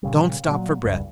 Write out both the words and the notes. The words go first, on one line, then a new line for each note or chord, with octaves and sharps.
Don’t stop for breath.
A#2 C#3 G3
A#2 F#3
F#1 C#2 G2